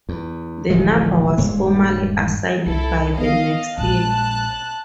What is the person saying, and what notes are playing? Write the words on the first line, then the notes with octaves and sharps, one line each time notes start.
The number was formally assigned by the next year.
E2
D1 A1 F3 G#3
D#1 G2 G#3 A#3
C2 E4 A4
B3 D#5 F5
A#1 G#3 A5 F#6